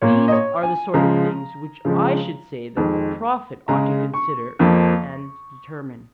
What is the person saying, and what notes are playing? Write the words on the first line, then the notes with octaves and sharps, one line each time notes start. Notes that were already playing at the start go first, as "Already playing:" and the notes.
These are the sort of things which I should say that the prophet ought to consider and determine.
A#2 A#3 C#5
D#5
C#5
G#5
C#3 F3 G#3 A#5
C#3 F3 G#3
F2 D#3 G#3
C#3 G#3 A#5
C#6
F2 F3 A#3